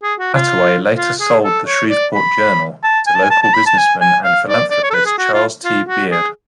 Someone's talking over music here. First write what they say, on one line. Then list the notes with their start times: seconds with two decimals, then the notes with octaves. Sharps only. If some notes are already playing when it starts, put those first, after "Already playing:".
Attaway later sold the "Shreveport Journal" to local businessman and philanthropist Charles T. Beaird.
0.03 G#4
0.19 F#4
0.34 F4
0.97 F4
1.20 G#4
1.44 A4
1.67 C#5
1.90 D5
2.14 B5
2.84 A5
3.07 G#5
3.15 A5
3.23 G#5
3.30 A5
3.42 A5
3.54 B5
3.66 A5
3.78 G#5
4.01 G#5
4.24 F5
4.48 D5
4.71 D5
4.83 C#5
4.90 A4
4.94 B4
5.06 G#4
5.18 F#4
5.33 F4
5.64 F4
5.88 F#4
6.11 G#4